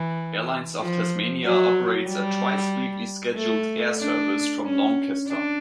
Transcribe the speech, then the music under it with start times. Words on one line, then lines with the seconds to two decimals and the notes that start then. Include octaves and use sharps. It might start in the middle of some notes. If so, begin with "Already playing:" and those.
Airlines of Tasmania operates a twice-weekly scheduled air service from Launceston.
Already playing: E3
0.81 F3
1.44 F#3
2.08 G3
3.36 A3
4.00 D4
4.64 C#4
5.27 D4